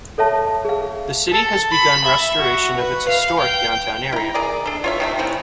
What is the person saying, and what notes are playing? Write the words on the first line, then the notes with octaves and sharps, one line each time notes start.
The city has begun restoration of its historic downtown area.
A4 C#5 E5 A5
G#4 F5
A4
B5
E5
F#4
B4
F5
G5
E4 A#5
G#4 A#4 D5
D4 A4
F4 C#5 E5
C3 D#3 A3
C4 C#4 E4 F#4